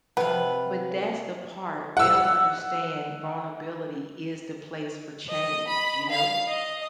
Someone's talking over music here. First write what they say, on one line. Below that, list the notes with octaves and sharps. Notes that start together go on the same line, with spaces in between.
But that's the part, they don't understand vulnerability is the place for change, you know?
C3 F3 B4 F#5
F#5 E6
D#5
B5
F5
D#5